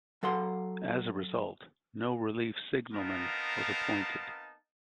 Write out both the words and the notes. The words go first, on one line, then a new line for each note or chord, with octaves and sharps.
As a result, no relief signalman was appointed.
F#3 A4 F#5 C6
B3 C4 D#4 A#4 F5 A5